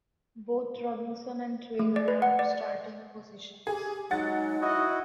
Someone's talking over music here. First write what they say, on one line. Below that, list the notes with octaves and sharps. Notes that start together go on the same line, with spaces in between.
Both Robinson and Traylor earned starting positions.
A3
D5
B4
F#5
D5
G4 G#4
F#3 G#3 D#4 F#5 A6
E4 F#4 D#5